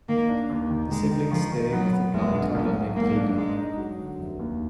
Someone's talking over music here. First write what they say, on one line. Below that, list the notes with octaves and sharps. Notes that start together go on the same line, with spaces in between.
The siblings stay with a blind toddler named Riga.
D#3 A#3
D4
D#2
D#3
D#3 G#3
D#3
D#3 F3
D#3
F#3 B3
B3
F1 G#3
D3
B1
B1
G#2 A#3
D4
G#2 G#3
D#4
F#3
D3
F1
D#2